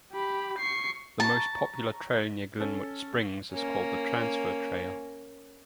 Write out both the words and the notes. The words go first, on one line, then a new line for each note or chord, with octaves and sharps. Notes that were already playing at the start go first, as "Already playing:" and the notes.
The most popular trail near Glenwood Springs is called the Transfer Trail.
G4 B5
C#6 C7
A5 A#5 C#6
C#4 A4
A#3 C#4